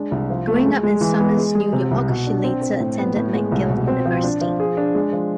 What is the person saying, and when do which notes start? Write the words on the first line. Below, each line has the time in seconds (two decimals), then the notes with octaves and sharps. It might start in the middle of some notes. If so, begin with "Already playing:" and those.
Growing up in Somers, New York, she later attended McGill University.
Already playing: G#3 D4
0.11 C2
0.30 F3
0.47 A3
0.65 G#3
0.83 G#3
1.01 E3
1.19 B3
1.37 G#3
1.55 G#4
1.73 C3
1.91 C2
2.09 B2
2.27 D4
2.44 C4
2.62 C4
2.80 A2
2.98 B3
3.16 A2
3.34 G#3
3.52 C2
3.70 B2
3.88 C4
4.05 F3
4.23 D4
4.41 F3
4.60 G#4
4.77 D4
4.95 G#3
5.13 F3